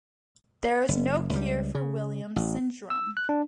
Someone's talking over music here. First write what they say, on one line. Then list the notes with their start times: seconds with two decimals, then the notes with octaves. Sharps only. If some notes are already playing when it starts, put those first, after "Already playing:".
There is no cure for Williams syndrome.
0.89 F#1
1.33 C#2 G3
1.75 C#3
2.36 A1
2.90 E6
3.17 F#6
3.29 D4